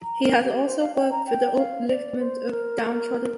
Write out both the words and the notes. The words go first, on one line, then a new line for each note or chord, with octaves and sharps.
He has also worked for the upliftment of downtrodden.
A#5
A#4
G4
C5
F5
G5
A#5
G5
F5
D5
C5
A#4